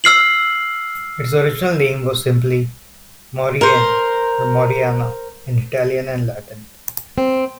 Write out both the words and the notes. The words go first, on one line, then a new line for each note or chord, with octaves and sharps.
Its original name was simply Maurienne, or Moriana in Italian and Latin.
E6 F6 C7 F#7
A#4 C5
C4